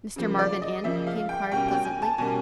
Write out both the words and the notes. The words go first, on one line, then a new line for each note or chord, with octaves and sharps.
"Mr. Marvin in?" he inquired, pleasantly.
C#3 F3 A#3
D5
D#5
C#3 F3 A#3 E5
F5
G5
B2 G3 A#3 C#4 G5
G5
G#5
A5
B2 G3 A#3 C#4 G#5